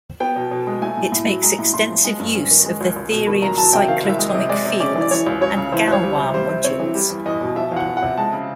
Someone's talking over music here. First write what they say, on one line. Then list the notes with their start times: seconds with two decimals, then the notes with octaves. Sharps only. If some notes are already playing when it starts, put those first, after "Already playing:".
It makes extensive use of the theory of cyclotomic fields and Galois modules.
0.20 B3 G5
0.36 B2
0.51 B2
0.67 G#3
0.82 A3 G#5
0.97 A2
1.12 A2
1.28 F#3
1.43 G#3 A#5
1.59 A2
1.74 A2 C6
1.89 F3
2.05 G#3
2.20 G2
2.35 C#4
2.51 D#3
2.66 G#3
2.81 C#2
2.96 C#2
3.12 B2
3.27 D#3 B5
3.42 C#2 A#5
3.58 F#3 A5
3.73 C3 G5
3.88 D#3 F5
4.03 C2
4.09 E5
4.19 G#3
4.29 C3 D#5
4.49 G#3 D5
4.65 C3
4.80 C#4 D5
4.96 E3
5.01 D5
5.11 E3 C#5
5.27 C#2
5.41 C#2 C#5
5.57 C#3
5.72 E3 C5
5.88 C#2 C#5
6.03 G3
6.13 C3 C5
6.34 G3 C5
6.49 C3
6.64 C4 C#5
6.80 E3
6.95 G3
7.10 E2
7.26 E2 D#5
7.41 B2
7.56 F3 E5
7.72 E2 F5
7.76 F#5
7.87 E2
7.97 F#5
8.02 C3
8.17 G#3 A5
8.33 C#3